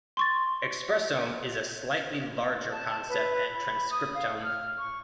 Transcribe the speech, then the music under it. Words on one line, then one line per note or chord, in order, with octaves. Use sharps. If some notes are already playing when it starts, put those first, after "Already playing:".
Expressome is a slightly larger concept than transcriptome.
C6 C#6 A6
A5
A5
B4
B5
D#6
F5
F6
C#6